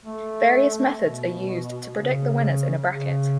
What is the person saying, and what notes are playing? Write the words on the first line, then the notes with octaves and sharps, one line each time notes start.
Various methods are used to predict the winners in a bracket.
A3
B2
C#3
C#3